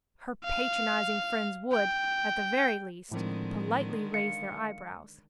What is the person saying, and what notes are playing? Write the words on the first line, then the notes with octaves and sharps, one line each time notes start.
Her patronizing friends would, at the very least, politely raise their eyebrows.
F5
G5
A2 D3 D#3 F3 G#3 C4
F5 C#7